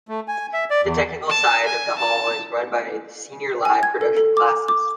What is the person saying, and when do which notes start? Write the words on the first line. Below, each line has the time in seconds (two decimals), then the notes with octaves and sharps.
The technical side of the hall is run by the senior live productions classes.
0.08 A3
0.28 G#5
0.53 E5
0.70 D5
0.84 E2
1.29 A5
1.66 G#5
1.99 A5
3.65 G#5
3.83 G#6
4.01 A4
4.17 A4
4.37 D6
4.68 D6